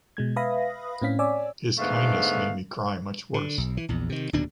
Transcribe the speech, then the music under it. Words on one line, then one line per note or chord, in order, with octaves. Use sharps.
His kindness made me cry much worse.
B2 G#3 G#6
B4 E5 F5 B5 D#6 A#6
A2 C4 C#4 F5 B6
C#5 D5 G#5 D6 E6
G#2 D3 A3 B3 F5
D3
B1
E3
A#1 E2
C3 D#3
D1 D#2 B2 D4